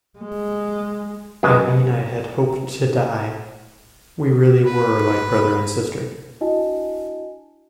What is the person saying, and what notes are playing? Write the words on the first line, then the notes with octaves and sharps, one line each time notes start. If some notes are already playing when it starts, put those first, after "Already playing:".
I mean I had hoped to die... we really were like brother and sister.
G#3
F#2 B2 G#3 B3
B4
D4 E4 F#4 D#5 G#5 A5